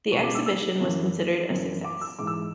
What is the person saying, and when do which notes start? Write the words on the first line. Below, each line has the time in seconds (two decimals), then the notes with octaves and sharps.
The exhibition was considered a success.
0.12 C#2 C#6
0.15 B2
0.23 D6
0.35 E6
0.46 E6
0.80 F#2 E3
1.50 F#2 E3
1.85 D6
2.01 E6
2.19 G#2 E3 D6
2.27 E6